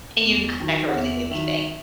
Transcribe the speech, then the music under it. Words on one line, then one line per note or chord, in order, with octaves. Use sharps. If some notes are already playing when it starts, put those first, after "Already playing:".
and you've not decorated anything.
E2
D#3 F#3
F#5
E2 E5
D#3 F#3 E5